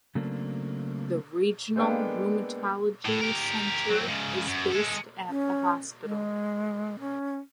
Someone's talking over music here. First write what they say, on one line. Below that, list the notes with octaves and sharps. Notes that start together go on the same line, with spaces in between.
The Regional Rheumatology Centre is based at the hospital.
C#3 F#3 A3 A#3 C4 D4
G#3 A#3 B3 D4 A4 G5
A2
G4 A#4
F#3 C4
G#2 C#3
F#2
G#3 A4
C#4
G#3
C#4